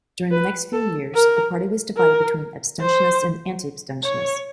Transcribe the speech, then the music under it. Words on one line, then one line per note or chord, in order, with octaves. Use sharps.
During the next few years, the party was divided between abstentionists and anti-abstentionists.
B4
A4
A#4
A#4
C5
C#5